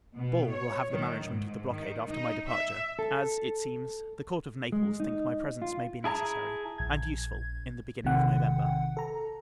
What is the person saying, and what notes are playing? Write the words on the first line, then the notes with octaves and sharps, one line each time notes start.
Ball will have the management of the blockade after my departure; as, it seems, the Court of Naples think my presence may be necessary, and useful, in the beginning of November.
B2
C#5
D#3
G#2
D#3
D#4
E5
A4
G#3
D#4
F4
E4 G#4 A5 A#5
A#1 G#6
A#1 C3 D#3 F#5 G5
A4 A#5